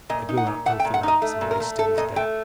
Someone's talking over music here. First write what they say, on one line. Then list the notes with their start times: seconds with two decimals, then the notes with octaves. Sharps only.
They blew out both the lamps and lay still as death.
0.09 A#2 D#5
0.29 D#4
0.37 F#5
0.47 A#2
0.66 A3 F#5
0.80 G5
0.85 A#2
0.94 F#5
1.03 D#4 D#5
1.22 A3
1.41 A#2
1.51 A#4
1.60 A3
1.79 A3 A4
1.97 A#2 D#5
2.16 A3 G5